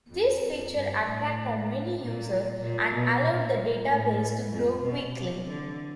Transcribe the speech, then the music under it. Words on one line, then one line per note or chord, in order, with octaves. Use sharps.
This feature attracted many users and allowed the database to grow quickly.
F2
F2
G2
A2
A#2
A#2
B2
A#2
A2
F2
B2
C3
D3 E3